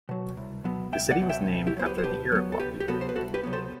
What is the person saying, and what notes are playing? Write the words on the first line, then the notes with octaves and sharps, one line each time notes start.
The city was named after the Iroquois people.
B2 F#3
C2
B2 F#3 B3
C2 E5 G5
D5 F#5
B2 F#3 B3
E5 G5
B2
E4 G4
F#3 B3 C5
G4 B4
C5
B2 G4 B4
F#3 B3
A4
C2 G4 B4
G4
C3 F#3 B3 F#4 A4
C5
B4
C2 F#4 A4
G4 B4
C3 F#3 B3
A4 C5